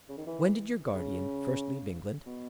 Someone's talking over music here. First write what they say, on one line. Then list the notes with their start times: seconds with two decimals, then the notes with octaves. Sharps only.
"When did your guardian first leave England?"
0.09 C#3
0.18 D#3
0.27 E3
0.94 C#3
2.26 B2